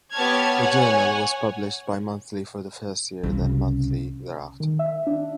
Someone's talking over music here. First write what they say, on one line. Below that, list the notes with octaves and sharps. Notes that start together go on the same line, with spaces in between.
The journal was published bimonthly for the first year, then monthly thereafter.
B3 G4 C#5 A5 F6 G#6
C#5 F#5 G#5
C2 C#3
D#3
E5
D4